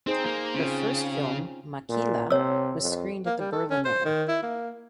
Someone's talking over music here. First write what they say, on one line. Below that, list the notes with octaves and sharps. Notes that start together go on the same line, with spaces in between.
Her first film "Maki’la" was screened at the Berlinale.
C4 D#4 G#4 C5
A#3
C#3 C4 C#4 F4
A#2
C3 C#5 E6
F2
A#3
G3
A4
C#4
C5
D#3
E4
A#3